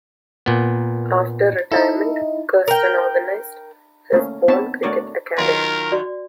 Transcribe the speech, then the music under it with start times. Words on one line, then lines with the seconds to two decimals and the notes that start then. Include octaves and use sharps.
After retirement, Kirsten organized his own cricket academy.
0.46 A#2 B3
1.72 D#4 E4 A4
2.68 A#4 G5
4.13 A3 A#3 C#4
4.48 B3 C4 D#4 C#5 E5 A5
4.83 A3 D4 F#4 A#4 C#5 D5
5.38 D#3 F#3 F4 A#4 G#5 C6
5.92 F#4 D5